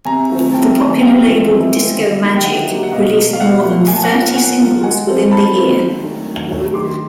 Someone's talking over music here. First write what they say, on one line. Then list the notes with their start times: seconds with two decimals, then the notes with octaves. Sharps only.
The popular label Disco Magic released more than thirty singles within the year.
0.05 C3 G#5 A#5
0.30 D#3 F#3 A3 C4
0.53 C3 G5 A5
0.78 D#3 F#3 A3 C4 A5
0.90 G#5
1.01 C3 F5 G5
1.25 E3 G#3 C4 F4
1.49 C3
1.73 E3 G#3 C4 F4
1.97 D3
2.21 F#3 A#3 D#4 G4
2.36 G5
2.44 D3 E5 F#5
2.68 F#3 A#3 D#4 G4
2.83 F#5
2.92 B2 D#5 F5
3.17 F#3 A3
3.33 F5
3.40 B2 E5 F#5
3.64 F#3 A3
3.88 A#3 G#5
3.96 A5
4.03 F#5 G#5
4.12 C#4 F4 A#4
4.35 A#3 F#5 G#5
4.59 C#4 F4 A#4
4.83 G#3 F#5 G#5
5.07 C4 F4 A4 C5
5.31 G#3 A5 B5
5.55 C4 F4 A4 C5
5.79 D#3
6.03 F#3 A3 D4
6.27 D#3
6.50 F#3 A3 D4
6.74 D#3 C6 D6